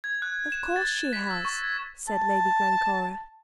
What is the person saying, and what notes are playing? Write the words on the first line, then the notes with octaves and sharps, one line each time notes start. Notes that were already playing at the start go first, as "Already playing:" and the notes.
"Of course she has," said Lady Glencora.
G#6
F#6
E7
A6
B6
E6
C#6
G#6
A5